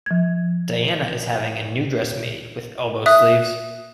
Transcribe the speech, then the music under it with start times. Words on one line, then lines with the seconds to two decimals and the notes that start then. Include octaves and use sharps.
Diana is having a new dress made with elbow sleeves.
0.06 F3 G#6
3.06 E5 D#6 F#6